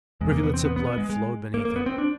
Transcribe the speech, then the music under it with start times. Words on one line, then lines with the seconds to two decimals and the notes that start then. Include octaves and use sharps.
Rivulets of blood flowed beneath him.
0.21 E2 C3 G#3
0.32 A#3
0.43 B3
0.54 C4
0.65 B3
0.76 B3
0.87 B3
0.98 G#3
1.10 G#3
1.54 A#3
1.65 A#3
1.76 B3
1.86 C4
1.98 D4